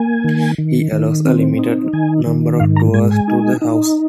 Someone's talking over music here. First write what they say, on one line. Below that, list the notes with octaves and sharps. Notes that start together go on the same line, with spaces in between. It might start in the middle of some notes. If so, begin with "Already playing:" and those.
He allows a limited number of tours to the house.
Already playing: A#3 G#5
D#3
D#3
D#3
C4
D#4
D#3 G#5
D#3
G#2 F5
A#5
G#3 G#5
G#5
D#4
D#4